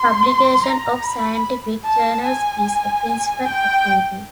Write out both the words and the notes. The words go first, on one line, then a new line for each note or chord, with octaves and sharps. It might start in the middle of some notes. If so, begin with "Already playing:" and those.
Publication of scientific journals is a principal activity.
Already playing: C6
A#5
B5
A5
G#5
G5